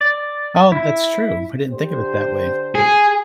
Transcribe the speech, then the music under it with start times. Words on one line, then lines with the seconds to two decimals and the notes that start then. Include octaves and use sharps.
Oh, that's true. I didn't think of it that way.
0.01 D5
0.72 E4
1.70 D3 G4 C5
2.75 G#4